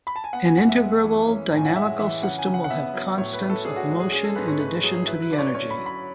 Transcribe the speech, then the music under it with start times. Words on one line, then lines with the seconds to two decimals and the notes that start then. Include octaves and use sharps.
An integrable dynamical system will have constants of motion in addition to the energy.
0.07 B5
0.16 A5
0.24 G#5
0.33 B3 F#5
0.46 G#5
0.56 F#2 F#5
0.69 E5
0.80 G#3
1.04 E3
1.28 C#4
1.52 A2
1.57 G#5
1.66 F#5
1.76 G#3 E5
1.99 E3 E5
2.22 C#3 F#5
2.39 G#5
2.46 C#3
2.54 F#5
2.64 F#5
2.70 B3 E5
2.94 F#3
3.17 A2 C#5
3.34 B4
3.41 A2
3.50 A4
3.64 D4 G#4
3.76 F#4
3.89 G#3
4.00 G#4
4.12 C#4 G#4
4.24 A4
4.35 G#2 B4
4.48 C#5
4.60 A3 B4
4.83 F#3 G#4
4.94 G#4
5.07 E4 B4
5.22 B4
5.31 D3 D5
5.39 C#5
5.54 C#4 C#5
5.71 B5
5.78 F#3
5.86 B5